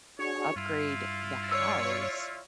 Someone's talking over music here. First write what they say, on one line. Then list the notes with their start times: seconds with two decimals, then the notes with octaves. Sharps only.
upgrade the house,
0.19 D4 F#4 G#4 C#5
0.56 G2 E4 F4
1.51 C#5 D5 C#6 E6